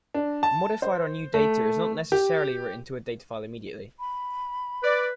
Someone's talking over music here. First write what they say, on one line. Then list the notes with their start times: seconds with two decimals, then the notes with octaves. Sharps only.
Modified or new data is not necessarily written to a datafile immediately.
0.14 D4
0.43 A5
0.82 C5
1.34 A3
2.12 G4
3.99 B5
4.83 B4 D5